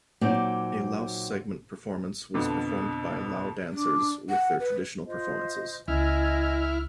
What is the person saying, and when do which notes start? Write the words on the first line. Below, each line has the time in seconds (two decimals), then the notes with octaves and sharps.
A Laos segment performance was performed by Lao dancers with their traditional performances.
0.21 A#2 F#3 C4 D#4 D5
2.34 F2 B2 D3
3.72 D4
4.29 F#5
4.59 B4
5.06 F4 C5 D#5
5.88 C#2 E4 D#5 G#5 F6 G#6